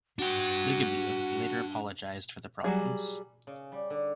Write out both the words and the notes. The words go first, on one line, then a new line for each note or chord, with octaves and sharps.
Ligabue later apologised for the problems.
D4 F#4 G5
F#3 G3 G#4
C#3
G3
D3